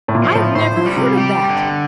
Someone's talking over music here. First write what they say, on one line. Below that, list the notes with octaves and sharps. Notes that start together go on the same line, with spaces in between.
I've never heard of that.
A2
A#2
F3
A2
A2 C5
F3
G3
C3
G4
D3